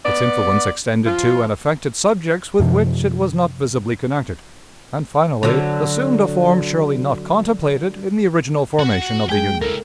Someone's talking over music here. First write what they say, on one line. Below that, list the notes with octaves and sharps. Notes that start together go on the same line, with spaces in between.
Its influence extended to and affected subjects with which it was not visibly connected, and finally assumed a form surely not contemplated in the original formation of the Union.
B3 D5
F3 F4
F#2 C3 F3
D3 F#3
F#4 F#5
G#3 G#4 G5
A#3 E4 A4 A#4